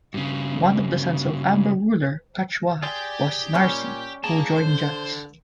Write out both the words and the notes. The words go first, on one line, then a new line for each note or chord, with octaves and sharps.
One of the sons of Amber ruler Kachwaha was Narsi who joined Jats.
G2 C#3
G4 G#4 D5 G5 C6
A#2 G3 C#4
A#3 G#4 A5
D3 C5